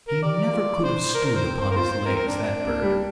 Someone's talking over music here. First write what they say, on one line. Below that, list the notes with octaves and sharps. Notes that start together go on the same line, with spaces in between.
He never could have stood upon his legs, that bird.
A#4
G4 D5
F4
D4 C5
A#4
A#4
C5
C4
C5
A#4
F4 C5
C5
C4 A#4
A#4
D4
A#3
G3